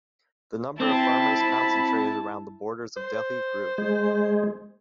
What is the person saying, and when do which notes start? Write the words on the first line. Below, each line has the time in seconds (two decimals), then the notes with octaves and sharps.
The number of farmers concentrated around the borders of Delhi grew.
0.80 C4 E4 A5 B5
2.97 C5
3.78 G#3